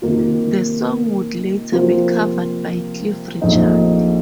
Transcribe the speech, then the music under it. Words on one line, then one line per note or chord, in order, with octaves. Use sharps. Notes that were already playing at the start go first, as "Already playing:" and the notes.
The song would later be covered by Cliff Richard.
C3 D#3 A#3 F4
C3 F3 A#3 F4 C5
A#1 A#2 A3 C4 D#4